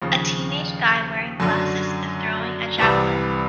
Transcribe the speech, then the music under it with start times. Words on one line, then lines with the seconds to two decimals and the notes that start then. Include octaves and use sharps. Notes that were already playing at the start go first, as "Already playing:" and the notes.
A teenage guy wearing glasses is throwing a javelin.
0.02 D#2 C#3 F3
1.40 F#2 D3 F#3
2.78 C2 C3 E3 G3